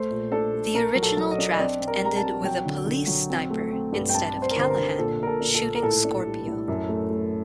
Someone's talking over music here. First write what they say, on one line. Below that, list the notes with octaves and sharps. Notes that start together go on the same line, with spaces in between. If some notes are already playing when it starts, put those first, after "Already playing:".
The original draft ended with a police sniper, instead of Callahan, shooting Scorpio.
Already playing: A3 C5
A#2
D4 A4
A3
D4 A#4
F#3
A4
F#3
D#5
D4
D#5
C4 D5
C4
A#4
G3 A#5
A5
C4
F#3 G5
D3
D3
F#3
C4
A3
C4
G2
G5
C4 A5
C4
C5
A#4
D3 C5
A#4
D3
A#2 A4
A#2 A#4
A4
D4
A4
A#2
A#4
A2 A4
D4
G3
A2
F#2
A3
A3